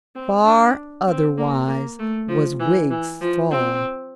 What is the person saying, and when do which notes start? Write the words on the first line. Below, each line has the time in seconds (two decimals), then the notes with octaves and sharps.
Far otherwise was Wiggs's fall.
0.15 C4
0.46 D4
1.07 C4
1.38 A#3
1.68 A#3
1.99 A3
2.29 F3
2.60 E3
2.91 E3
3.21 F3
3.51 C4